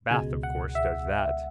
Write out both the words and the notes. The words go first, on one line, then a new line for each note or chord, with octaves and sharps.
Bath of course does that.
C#2 B2 G#3 G#5
F#5
E5